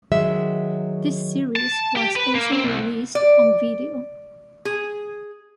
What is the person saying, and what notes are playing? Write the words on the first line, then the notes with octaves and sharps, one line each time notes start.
This series was also released on video.
D#3 F#3 G#3 E5
A5
G4
B4
A#3
C4
C2
D5
G#4